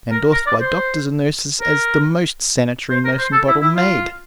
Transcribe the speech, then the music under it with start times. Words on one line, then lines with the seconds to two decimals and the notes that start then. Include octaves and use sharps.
Endorsed by doctors and nurses as the most sanitary nursing bottle made.
0.11 A#4
0.32 A#4
0.46 D5
0.60 C5
1.61 A#4
2.90 C5
3.05 A#4
3.19 C5
3.32 A4
3.48 E4
3.61 E4
3.76 F4